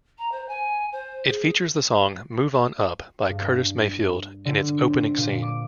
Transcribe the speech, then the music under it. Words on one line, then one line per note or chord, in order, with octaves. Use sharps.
It features the song "Move On Up" by Curtis Mayfield in its opening scene.
A#5
C5
G#5
C5
G#4
G2
D3
C4
A#2
D6